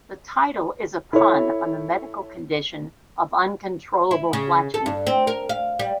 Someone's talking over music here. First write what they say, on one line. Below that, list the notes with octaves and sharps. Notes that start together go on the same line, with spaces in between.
The title is a pun on the medical condition of uncontrollable flatulence.
E4 A4 C#5
E4
C#3
A4
G2
C4
A#4
F5
G3